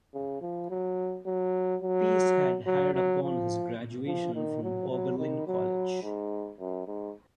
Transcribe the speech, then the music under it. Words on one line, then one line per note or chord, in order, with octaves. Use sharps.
Pease had hired upon his graduation from Oberlin College.
C#3
F3
F#3
F#3
F#3
F#3
F#3
F3
F3
D#3
F#3
F#3
D#3
F#3
G#2
F#2
G#2